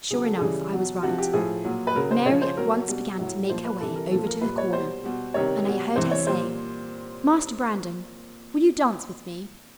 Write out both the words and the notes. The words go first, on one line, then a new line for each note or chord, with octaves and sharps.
Sure enough, I was right. Mary at once began to make her way over to the corner, and I heard her say: "Master Brandon, will you dance with me?"
C#3 F#3 G#4
A4
C#3 E3 G3 G#4
B2 F#3
C3 F3 F#4
G4
A2 F3 G#4
A#2 F#3
B4
C#3 F#3 A#4
C5
C#3 F3 C#5
C5
B2 F#3 A#4
B2 G3
A2 F#3
A#2 F3 C5
B4
C3 E3 G3 A4
A#4
A#2 F3 A4
A#4
A#2 G3 B4
C#5
B2 G3 C5
B2 G3
C3 D#3 G3 C#5
B2 G3
C3 E3 G3 C5
C#5
A#2 G3 C5